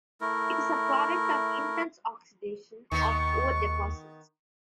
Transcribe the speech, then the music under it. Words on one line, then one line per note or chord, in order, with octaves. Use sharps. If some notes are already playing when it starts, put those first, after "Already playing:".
It is a product of intense oxidation of ore deposits.
A3 E4 A#4
D#2 D#3 B3 C#6